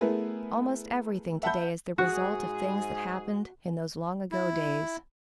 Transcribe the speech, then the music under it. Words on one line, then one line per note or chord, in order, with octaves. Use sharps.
Almost everything to-day is the result of things that happened in those long-ago days.
A3 B3 E4 G#4 A#4 B4
E5 F#5 A5 B5 G6
G#2 F#4 G#4
E4